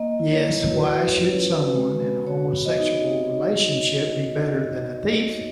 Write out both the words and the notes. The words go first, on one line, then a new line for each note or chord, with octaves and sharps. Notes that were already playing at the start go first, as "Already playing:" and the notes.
Yes, why should someone in a homosexual relationship be better than a thief?
Already playing: A#3 D#5
E4
C#5
E4
F#4 B4
G#3
C#5
C#4
F#4 B4
G#3
B3
F#4 C#5
B3
D#5
D#4